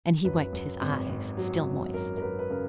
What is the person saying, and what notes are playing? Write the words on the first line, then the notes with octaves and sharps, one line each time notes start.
And he wiped his eyes, still moist.
F#2 B4
F#2
G#1
G#1
F#3
G#1
F#2 A#4
A#4
F#3 B4
B4
C#3 A#4